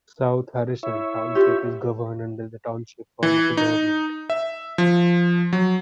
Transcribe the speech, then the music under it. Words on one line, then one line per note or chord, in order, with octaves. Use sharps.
South Harrison Township is governed under the Township form of government.
E4 C#5 E5
F4 G4
E3
D#4
E5
F3
F#3